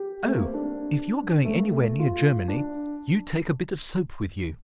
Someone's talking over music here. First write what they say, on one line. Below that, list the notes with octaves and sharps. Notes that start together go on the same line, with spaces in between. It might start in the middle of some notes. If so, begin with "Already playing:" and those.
"Oh! if you're going anywhere near Germany, you take a bit of soap with you."
Already playing: G4
A3
A#3
C4
D4
A3
A#3
A3
A3
F4
D4